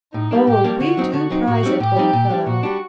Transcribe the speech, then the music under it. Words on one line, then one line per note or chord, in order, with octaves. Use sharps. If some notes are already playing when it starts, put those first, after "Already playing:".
Oh, we do prize it, old fellow!
A2 D#4
G3 A#3 D4
A2 G4
G3 A#3 D4
D3 F#4
F#3 C4 D#4
D3 F#4
F#3 C4 D#4
A2 F#4
G3 C4 D#4
A2 G4
G3 C4 D#4
A#2
G3 D4
A#2 F#4
G3 D4